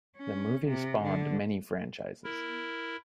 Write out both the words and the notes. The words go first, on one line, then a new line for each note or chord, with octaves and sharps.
The movie spawned many franchises.
C#4
C3
D3
E4 A#4